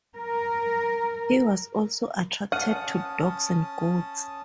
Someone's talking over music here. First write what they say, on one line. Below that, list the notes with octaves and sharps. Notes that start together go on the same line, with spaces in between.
He was also attracted to dogs and goats.
A#4
C#4 F#5 A5 D#6 F6 C#7 D#7